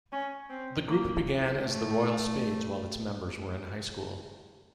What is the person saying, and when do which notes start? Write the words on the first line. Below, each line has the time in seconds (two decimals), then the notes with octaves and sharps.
The group began as The Royal Spades while its members were in high school.
0.12 C#4
0.50 C4
0.88 A#3
1.64 A3